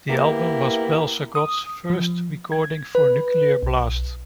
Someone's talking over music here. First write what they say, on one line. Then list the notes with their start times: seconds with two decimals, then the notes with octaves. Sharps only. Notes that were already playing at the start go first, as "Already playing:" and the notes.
The album was Bal-Sagoth's first recording for Nuclear Blast.
0.09 A#3 B3 E4 G4
1.35 D#6
1.90 F3
2.52 G#6
2.95 B4
3.63 B1